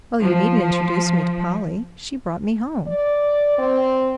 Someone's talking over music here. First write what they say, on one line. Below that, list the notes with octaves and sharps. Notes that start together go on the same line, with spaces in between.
"Oh, you needn't introduce me to Polly--she brought me home!"
F3
D5
C4